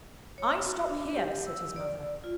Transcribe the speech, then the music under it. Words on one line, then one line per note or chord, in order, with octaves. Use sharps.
'I stop here!' said his mother.
C#5
F#4
D4
G4
E6
D5
F4